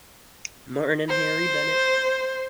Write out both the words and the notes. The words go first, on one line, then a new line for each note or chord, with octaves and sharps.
Martin and Harry Bennett.
C5